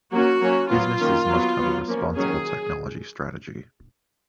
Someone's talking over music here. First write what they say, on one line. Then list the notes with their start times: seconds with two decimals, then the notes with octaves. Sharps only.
Businesses must have a responsible technology strategy.
0.13 F#3 A#3 C#4 F#4
0.42 F#3 A#3 C#4
0.71 F#3 B3 F4
1.00 D#3 A#3 C#4
1.30 F#3 B3
1.59 F#3 B3
1.88 F3 A#3 C#4
2.17 D#3 F#3 C#4 G#4